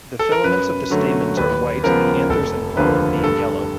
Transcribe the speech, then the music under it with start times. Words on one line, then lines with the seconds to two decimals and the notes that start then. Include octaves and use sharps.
The filaments of the stamens are white, the anthers and pollen being yellow.
0.19 A4
0.32 A#4
0.44 F#2 B4
0.90 D3 F#3 A3
1.37 D#2 B4
1.83 C#3 F3 G#3 B3 A#4
2.30 F1 A4
2.77 D#2 D3 F3 A#3 B4
3.23 G2 A4